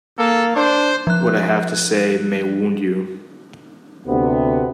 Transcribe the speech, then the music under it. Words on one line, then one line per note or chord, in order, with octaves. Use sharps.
What I have to say may wound you.
A#3 A4
D4 C5
F3 F#6
D2 C3 B3